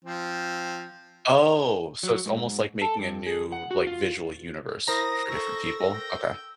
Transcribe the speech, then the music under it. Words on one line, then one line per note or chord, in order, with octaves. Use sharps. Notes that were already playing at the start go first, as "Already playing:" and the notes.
Oh, so, it's almost like making a new, like, visual universe for different people? Okay.
F3 C4
F#3
G#2
A4
G2
G#4
F#5
F#4
F4
E4 A#4 C5 A#5 D#6 A#6
A4 C#6 E6
G5